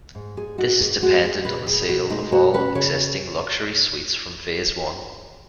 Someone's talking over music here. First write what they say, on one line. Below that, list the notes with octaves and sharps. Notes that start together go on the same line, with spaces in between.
This is dependent on the sale of all existing luxury suites from phase one.
G#2
G#2 G#4
D#4 F#4
G#2 G#4
G#3 F#4
G#3 G#4
B2 B4
B2 G#4
B2 F#4
G#3 D#4
B2 F#4
C#4 B4
C#3 C#5